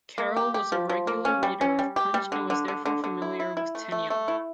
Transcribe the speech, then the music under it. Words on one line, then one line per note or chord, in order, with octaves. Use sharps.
Carroll was a regular reader of "Punch" and was therefore familiar with Tenniel.
A#3
G4
G4
F3
F3
A#3
C#4
G3
C#4
G3
G4
G3
D3
D3
D3
D3
D3
E4
E4
E4
A3
A3
A3
E4